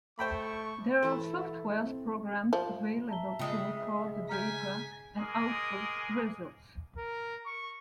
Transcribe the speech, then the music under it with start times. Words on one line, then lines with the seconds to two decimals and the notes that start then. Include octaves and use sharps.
There are software programs available to record the data and output results.
0.19 A3 C5 G5 B5 C#6
1.03 E3 A3 E4 A4
1.81 C4
2.53 F3
3.09 E5 A5 A#5 G7
3.39 C#3 G#3 F4 G5 D#6
4.29 G#5 A#5 F6 G6 B6
5.17 G#3 G#4 A#4 D#5 D6
6.98 A#4
7.46 C#6